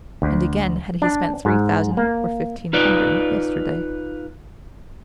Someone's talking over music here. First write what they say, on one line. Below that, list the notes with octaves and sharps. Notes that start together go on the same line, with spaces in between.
And again had he spent three thousand or fifteen hundred yesterday?
D2
D4
G#2
A#3
D#4 F4 B4 D5